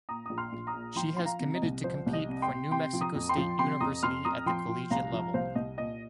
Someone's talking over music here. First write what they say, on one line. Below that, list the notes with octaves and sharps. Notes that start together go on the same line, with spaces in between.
She has committed to compete for New Mexico State University at the collegiate level.
A#2 A#5 D#6
A#1 D#6
C6 F6
A#1
A#5 D#6
A#2
F3 G5 C6
F3 C6
F5 A#5
C3
D#5
C2
F3 C5
C2
D#5
C3
G5 C6
C3
C3 G5 C6
F3
A#5 D#6
F2
G5 C6
F3
C3 G5 C6
F2 A#5 D#6
F2 C6 F6
F2 A#5 D#6
F3 G5 C6
F3
C2 F5 A#5
F3
C2 C5 F5
C2 D#5
A#2 D#5